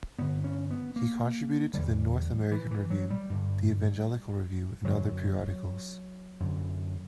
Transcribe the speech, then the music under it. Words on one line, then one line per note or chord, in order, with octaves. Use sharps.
He contributed to the "North American Review", the "Evangelical Review" and other periodicals.
G2 D3 B3
C#4
B3
A#3
E2 D3 G3
E3
E3
F#3
G3
G2 D3
F#2 D3 F#3
F#2 D3